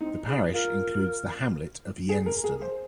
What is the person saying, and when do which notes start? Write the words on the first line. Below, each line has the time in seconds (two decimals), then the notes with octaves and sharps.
The parish includes the hamlet of Yenston.
0.01 C4 D#4
0.27 G#4
0.53 F4 A#4
2.09 G#4
2.26 A#4
2.44 G#4
2.62 C5